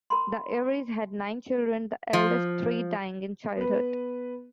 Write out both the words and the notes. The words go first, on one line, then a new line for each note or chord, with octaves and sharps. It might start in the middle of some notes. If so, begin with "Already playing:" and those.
The Airys had nine children, the eldest three dying in childhood.
A#4 B5 C6
F3
B3 B4